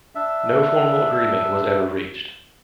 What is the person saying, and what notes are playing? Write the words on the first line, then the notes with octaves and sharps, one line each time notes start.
No formal agreement was ever reached.
D4 E5